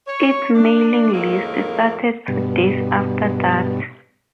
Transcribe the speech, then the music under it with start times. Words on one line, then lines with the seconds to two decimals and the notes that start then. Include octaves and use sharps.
Its mailing list started two days after that.
0.07 C#5
0.55 D4
1.13 F2 A2 D#3 G#3 A#3
2.28 G2 B2